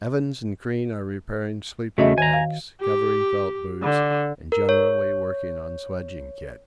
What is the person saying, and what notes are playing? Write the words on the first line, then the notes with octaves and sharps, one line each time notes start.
Evans and Crean are repairing sleeping-bags, covering felt boots, and generally working on sledging kit.
C#3 A3 F#4 D#5 E5
D#3 C#5 G#5 A#5
F5
G4
D3
A#4
C#5